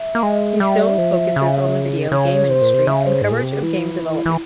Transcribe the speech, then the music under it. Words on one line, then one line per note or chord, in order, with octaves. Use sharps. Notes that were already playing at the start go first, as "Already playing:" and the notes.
He still focuses on the video game industry and coverage of game development.
Already playing: E5
A#3
G#3
G3 E5
F3
C#3
C#3 C#5
C3 C5
A#2
C3
C#3 E5
C5
G#2 G#4
A#2
C3 G4
C#3
E3 E4
E3